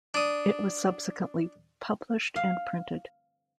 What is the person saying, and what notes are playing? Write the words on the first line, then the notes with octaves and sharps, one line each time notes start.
It was subsequently published and printed.
D4 D#6
F5